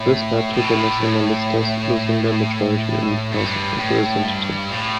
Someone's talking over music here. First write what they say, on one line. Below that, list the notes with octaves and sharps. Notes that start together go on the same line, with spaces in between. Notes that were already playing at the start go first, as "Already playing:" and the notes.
This led to the Nacionalistas losing their majority in the House of Representatives.
Already playing: A2
A2
B2
A2
A2
G2
A2
G2
A2